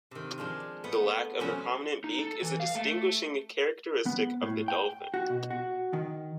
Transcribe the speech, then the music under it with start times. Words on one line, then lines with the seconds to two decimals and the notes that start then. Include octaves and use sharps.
The lack of a prominent beak is a distinguishing characteristic of the dolphin.
0.11 C3 D#3
0.38 F3 G#3 D4 F4
0.84 A3 B3
1.39 C3 F3 F#3 A3 B3 C#4
2.04 D#4
2.19 A4
2.42 E3
2.60 F5
2.75 A3
4.06 B3
4.42 A2
4.68 G5
5.14 F#4
5.30 B2
5.50 F#4
5.93 D#3